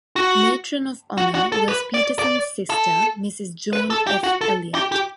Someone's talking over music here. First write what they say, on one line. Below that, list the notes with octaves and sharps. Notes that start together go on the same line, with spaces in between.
Matron of Honor was Peterson's sister, Mrs. John F. Elliott.
F#4
F#4
F#4
A4
B4
D5
D5
A4
B4
A4
G4
F#4
A4
G4
G4